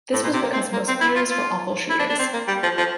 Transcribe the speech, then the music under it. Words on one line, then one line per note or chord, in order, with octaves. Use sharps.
This was because most players were awful shooters.
A2
A#2
C3
A#3
C4
A#3
C4
E4
F4
F4
E4
D4
D4
C4
A#3
G3
F3
F3